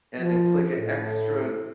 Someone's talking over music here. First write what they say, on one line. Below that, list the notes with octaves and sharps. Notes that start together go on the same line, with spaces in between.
and it's like a extra-
F3
A2